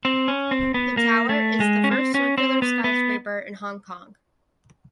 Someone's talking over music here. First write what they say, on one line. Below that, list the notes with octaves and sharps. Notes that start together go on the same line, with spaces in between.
The tower is the first circular skyscraper in Hong Kong.
C4
C#4
C4
B3
A#3
A3
G#3
C#4
C4
C#4
C4
B3
B3